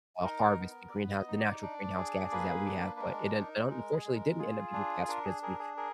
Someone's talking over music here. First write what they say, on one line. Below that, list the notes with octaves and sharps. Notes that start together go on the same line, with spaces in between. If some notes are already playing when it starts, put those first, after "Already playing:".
uh, harvest the greenhouse the natural greenhouse gases that we have, but it un un unfortunately didn't end up getting passed because the
D#4 A#4
B3
D5
B3 B4
D#5
D#4
D5
D4 D5
G#4
A#3 B4
D4
B4
G#3 A#4
D#4
G#3 A#4
G#4
G#3
A#4
F4 G#4
D4
D4 A#4
G#4
G#4 A#4
G#4
G#4 A#4